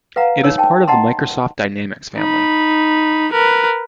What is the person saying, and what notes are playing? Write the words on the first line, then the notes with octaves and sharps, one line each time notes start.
It is part of the Microsoft Dynamics family.
B4 F5 F#5 A#5
D#4 C#5 E6
G5 A5
D#5 F#5 A5 A#5 C6
D#4 B5
A#4 B4